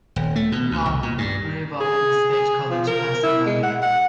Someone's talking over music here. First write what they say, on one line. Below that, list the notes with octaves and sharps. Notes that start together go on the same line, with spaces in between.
Kahn grew up in State College, Pennsylvania.
D#1
A3
B2
D2
C2
A#2
G2
G#4
G#4
F3
A#4
E4
G#3
F#5
F#5